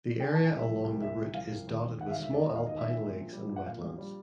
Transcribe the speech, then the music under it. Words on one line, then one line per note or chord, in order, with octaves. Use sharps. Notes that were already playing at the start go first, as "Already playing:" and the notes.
The area along the route is dotted with small alpine lakes and wetlands.
G5
G#5
A#2 A5
G#5
C2
E5
F3
C2
A#2 E5
C2
F3 F5
C2
D#2
E1
D#3 F#5
E5
F5
E1
E5
D#2 D5
E1 D#5
F5
D#3 D#5
E5
E1
E5
A#2
A#1
G3
A#1
F#5
A#2 F5
A#1
G3